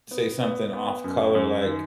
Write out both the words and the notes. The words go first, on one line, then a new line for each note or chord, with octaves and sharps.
say something off color like,
B3
B3
B3
F#2
F#2
D#3